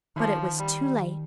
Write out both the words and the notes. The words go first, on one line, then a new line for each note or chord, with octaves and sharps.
But it was too late.
D#3 F3
G3